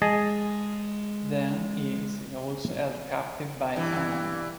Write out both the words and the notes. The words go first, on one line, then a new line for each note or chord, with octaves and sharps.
Then he is also held captive by Anand.
G#3 G#4 D#5 A5
G2 E3